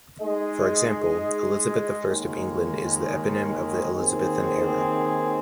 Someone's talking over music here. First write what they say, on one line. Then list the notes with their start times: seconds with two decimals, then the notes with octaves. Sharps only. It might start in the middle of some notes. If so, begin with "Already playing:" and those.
For example, Elizabeth the First of England is the eponym of the Elizabethan era.
0.20 G#3 D#4 G#4 D#5
2.07 D#2 D#3 G#3
3.93 D#2 D#3 C4 G#4